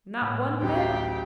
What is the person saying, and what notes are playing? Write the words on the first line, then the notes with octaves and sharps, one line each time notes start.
Not one bit?
A2
A1 D2 F#3 G4 G5